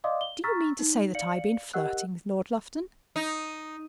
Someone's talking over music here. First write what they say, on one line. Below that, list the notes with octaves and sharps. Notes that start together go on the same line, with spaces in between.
"Do you mean to say that I have been flirting with Lord Lufton?"
D5 D#5 F5 C6 D6 D#6
G7
A#5 C#6 E6 F6 A6 B6
D#4
D5 F5 C#7 F#7
G4 A#4 D#5 F#5 E6 F#6
D#4